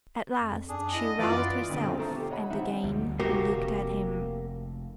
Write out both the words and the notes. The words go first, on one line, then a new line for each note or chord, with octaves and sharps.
At last she roused herself and again looked at him.
F2
F#2 D4 G#4
B3 E4 D#5
F#2 E3 B3 F4 B4 D5 B5
D2 G2 B2 D#6
C4 F4 A4
A4 C5 E5 A#5 C#6
G4
C#5 D#5 F#5 B5
F3 C4 D#4 E5 F#5
D2 B2 G3
F1 F2 A#3 F#4 G4